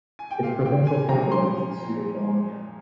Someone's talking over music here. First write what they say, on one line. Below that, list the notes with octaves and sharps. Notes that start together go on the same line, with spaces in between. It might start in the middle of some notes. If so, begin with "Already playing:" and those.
Its provincial capital was the city of Bologna.
G#5
G5
A#2 F5
G5
A#2
G#5
F3 A#5
C6
F3